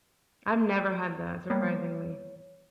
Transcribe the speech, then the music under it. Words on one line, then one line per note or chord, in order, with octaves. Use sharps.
I've never had that, surprisingly.
G3 A#3 B3 C#5